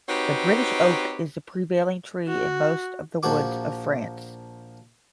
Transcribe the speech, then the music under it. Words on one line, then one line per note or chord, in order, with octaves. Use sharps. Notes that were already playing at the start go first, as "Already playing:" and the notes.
The British oak is the prevailing tree in most of the woods of France.
C4 D#4 F#4 G4 B4 C#5
F#4
A#1 F3 A#3 F#4 D6